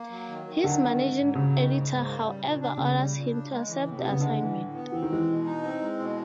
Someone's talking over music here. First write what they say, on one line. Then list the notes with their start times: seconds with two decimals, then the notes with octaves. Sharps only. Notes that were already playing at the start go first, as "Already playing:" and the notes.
His managing editor, however, orders him to accept the assignment.
Already playing: A#3
0.10 F#3
0.28 D#3
0.46 D#3
0.64 D3 F#3
0.82 D#3
1.00 G#2
1.18 G#2
1.35 C#3 F#3
1.53 D#3
1.71 G#2
1.89 G#2
2.06 A#3
2.24 G3
2.42 A#2
2.61 D4
2.77 C#3 A#3
2.96 G3
3.14 A#2
3.31 D4
3.50 G#3
3.67 E3
3.85 A2
3.98 C3 B3
4.10 C#3
4.20 D3 G#3
4.39 E3
4.57 A2
4.74 B3
4.92 E3 C4
5.02 D#3
5.10 E3 G#3
5.28 B2
5.46 D#4
5.63 C4
5.81 G#3
5.99 B2